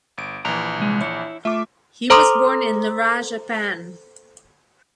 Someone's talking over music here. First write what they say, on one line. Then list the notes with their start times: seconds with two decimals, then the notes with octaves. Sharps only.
He was born in Nara, Japan.
0.18 G1 D7
0.45 A#1 E3 A#5
0.79 C2 G#3
1.01 E4 C#5
1.45 A3 F4 E5 D6
2.10 A4 C5 A#5 C6 D6 D#6